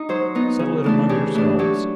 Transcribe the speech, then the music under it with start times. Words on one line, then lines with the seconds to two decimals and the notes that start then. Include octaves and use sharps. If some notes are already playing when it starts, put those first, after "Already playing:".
'Settle it among yourselves.
Already playing: D#4
0.09 F#3 C5
0.35 B3 D#4
0.59 C#3
0.84 E3 A3 D4
1.09 C#3 G4
1.35 E3 A3 D4
1.59 F#3 G4